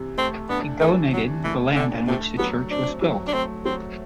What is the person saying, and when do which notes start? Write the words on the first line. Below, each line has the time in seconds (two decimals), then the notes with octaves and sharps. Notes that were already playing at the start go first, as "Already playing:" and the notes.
He donated the land on which the church was built.
Already playing: C3 E3
0.18 A3 C4
0.49 B3 D4
0.81 E3 A3
1.13 C3 F#3
1.44 E3 A3
1.75 D3 D4
2.07 C3 A3
2.39 F#3 B3
2.71 C4 D4
3.02 F#3
3.28 D4
3.34 A3 C4
3.65 F#3 C4